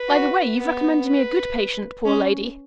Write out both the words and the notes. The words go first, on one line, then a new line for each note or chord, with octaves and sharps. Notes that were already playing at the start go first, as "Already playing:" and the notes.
'By the way, you've recommended me a good patient, poor lady!
Already playing: B4
F#4
B3
B4
C#4